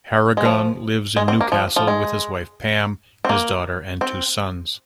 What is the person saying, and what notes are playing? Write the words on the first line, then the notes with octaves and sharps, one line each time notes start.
Harragon lives in Newcastle with his wife Pam, his daughter and two sons.
G#3
F3
G#3
C4
A#3
F3
F3
G#3
C4
A#3
C4